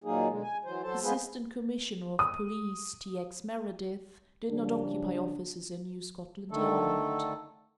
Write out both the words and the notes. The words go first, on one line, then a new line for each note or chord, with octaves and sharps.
Assistant Commissioner of Police T. X. Meredith did not occupy offices in New Scotland Yard.
A#2 D#3 F#3 A#3 D#4 G#4
B2 D3 G#3
G#5
E3 F#3 C5
F#3 A4 C5 A5
G#3 B3 F4 G#4 B4 C5
D#6
C#3 F3 G3 D4
D3 D#3 A3 A4